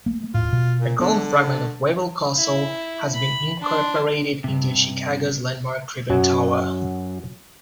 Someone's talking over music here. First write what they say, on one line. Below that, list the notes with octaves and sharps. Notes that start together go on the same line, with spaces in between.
A column fragment of Wawel Castle has been incorporated into Chicago's landmark Tribune Tower.
A3 A#3
D#1 A2 F4
B2
A#2
D3 B3
E4
B5
D4 C6
G2 C3
F#2 F#3